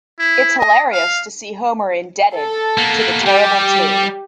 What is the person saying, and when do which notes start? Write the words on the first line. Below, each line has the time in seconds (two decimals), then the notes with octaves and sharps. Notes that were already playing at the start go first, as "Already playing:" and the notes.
It's hilarious to see Homer indebted to the Terrible Two...
0.19 E4
0.59 D#5
0.93 F5
2.36 A4
2.78 A#3 B3
3.26 G3 G4